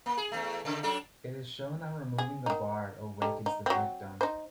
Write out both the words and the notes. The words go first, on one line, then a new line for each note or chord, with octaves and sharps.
It is shown that removing the barb awakens the victim.
A#3
G#4
E2 A3
C#3
F#3 D4 A4
G#4
D#3 D#4
G3 A3 D#4
D#4
F#3 C4
D#4 C5